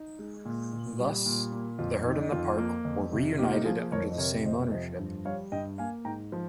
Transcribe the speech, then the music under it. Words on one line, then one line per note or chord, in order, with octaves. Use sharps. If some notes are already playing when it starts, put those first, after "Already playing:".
Thus, the herd and the park were reunited under the same ownership.
Already playing: D#4
G#3
A#2
A#2
G3
A#2
A#3
F2 F4
D#3 D#4
D#4
F2 F4
A#3
F2
C3
A#3 D#4 G4
F4
D#4 G4
F3 F4 G#4
G#4 C5
F2 A#4 C#5
D#5
C3 A#4 C#5
F2 C5 D#5
F3 C5 D#5
G2
G3 C#5 F5
G2 D#5 G5
A#3 F5 G#5
G#2 G5 A#5
F3